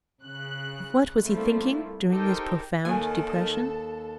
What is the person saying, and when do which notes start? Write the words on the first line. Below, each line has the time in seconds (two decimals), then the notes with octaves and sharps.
Of what was he thinking during this profound depression?
0.20 C#3 F#6
1.22 G3 A3 A#3 C4 E4 F4
2.10 D#4 G4 A4 A#4 C5 G5
2.85 D#2 D#3 A4 G#5